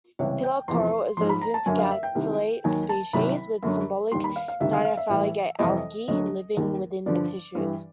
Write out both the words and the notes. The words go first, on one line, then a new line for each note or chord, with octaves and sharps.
Pillar coral is a zooxanthellate species, with symbiotic dinoflagellate algae living within the tissues.
C#2 C3 E3 G3 C#5
G5
E2 C3 F3 C6
G#2 F3 C6
B5
A#5
A5
F#2 D3 F#3 G#5
F5
E5
G5
C2 C3 D#3 G3
D#2 D#3 F#3 G#5
A5
C2 C3 D#3 F#3 B5
F#2 D3 F#3
D#2 D#3 G3 C6
B5
F5
F5
D2 C3 D#3 G3 E5
F5
F5
E5
A2 E3 G3
F2 C3 E3 G3 D#5
D2 D3 F#3 D#5
D#2 D#3 G3
G2 D3 F3 D5
G2 E3 G3